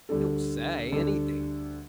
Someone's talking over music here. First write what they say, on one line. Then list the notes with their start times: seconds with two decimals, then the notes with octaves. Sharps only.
He'll SAY anything.'
0.09 D2 D3 G3 D4 A4
0.92 D2 D3 G3 D4 A4